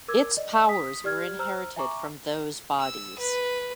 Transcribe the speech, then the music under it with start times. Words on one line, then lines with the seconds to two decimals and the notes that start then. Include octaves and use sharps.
Its powers were inherited from those bodies.
0.08 A#4 D6 E6 G#6
0.37 D5 D#5
0.69 D#6 B6
1.04 G4 D5 F6 G#6
1.39 C5 A#5 E6 F6
1.76 E5 G#5 A#5 C#6 D6
2.79 E6
3.19 B4